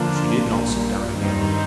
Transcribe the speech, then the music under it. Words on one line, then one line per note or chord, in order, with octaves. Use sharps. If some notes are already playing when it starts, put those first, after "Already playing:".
But she did not sit down again.
Already playing: D3 F3 A#3 D4 F4
A#1 A#2 G3 A#3
G2 D#3 G3 C4 D#4